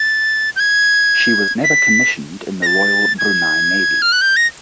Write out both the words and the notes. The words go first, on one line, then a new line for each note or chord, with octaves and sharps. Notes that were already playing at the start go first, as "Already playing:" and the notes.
She was never commissioned in the Royal Brunei Navy.
Already playing: A6
G6
G#6
B6
A#6
A6
G#6
F6
F#6
G6
A#6